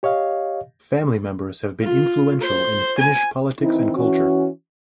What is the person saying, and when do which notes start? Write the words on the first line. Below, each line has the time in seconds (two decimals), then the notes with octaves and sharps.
Family members have been influential in Finnish politics and culture.
0.03 G4 C#5 D#5 F5
1.82 F4
2.41 C5
2.98 G#5
3.61 D#3 E3 C4 D#4 E4
3.97 E3 C#4 F#4